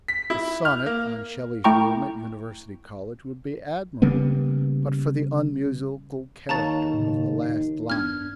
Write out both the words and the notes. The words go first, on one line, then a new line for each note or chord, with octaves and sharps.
The sonnet on Shelley's room at University College would be admirable but for the unmusical character of the last line.
B6
E4
F6
A#3
A3 E4 G5 A#5 C#6
C#3 G3 A#3 B3
D#2 C#5 F5 A5 A#5 C#6 A6
A2 C#3
D#4
G2 B3 D4 F6 G#6